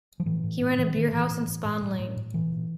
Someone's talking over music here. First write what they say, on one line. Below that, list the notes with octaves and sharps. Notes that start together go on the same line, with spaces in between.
He ran a beer house in Spon Lane.
F3
A2 E3
A2
A2
A2 E3
A2 D#3
A2 E3
A2
A2
A2
A2
A2
A2
A#2 E3
A#2